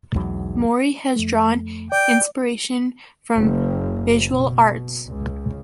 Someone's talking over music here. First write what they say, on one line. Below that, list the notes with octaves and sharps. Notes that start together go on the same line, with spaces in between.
Mori has drawn inspiration from visual arts.
B1 E2 G#2 F#3
F2 A3
D5 G5
F#1
B2
C#2